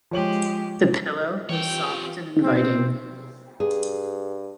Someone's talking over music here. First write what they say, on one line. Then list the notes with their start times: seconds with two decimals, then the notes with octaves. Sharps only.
The pillow was soft and inviting.
0.11 F3 G#3 G4 C#5 F#7
1.49 E3 C4 F4 G4 C#5 G5
2.43 C4
3.60 G2 G#4